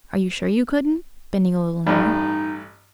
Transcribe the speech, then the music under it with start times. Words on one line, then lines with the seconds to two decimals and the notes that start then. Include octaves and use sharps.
"Are you sure you couldn't?" bending a little nearer.
1.87 A1 G2 D#4